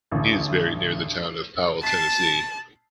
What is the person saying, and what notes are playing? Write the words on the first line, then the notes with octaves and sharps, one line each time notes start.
He is buried near the town of Powell, Tennessee.
A1 D2
A5 B6 C7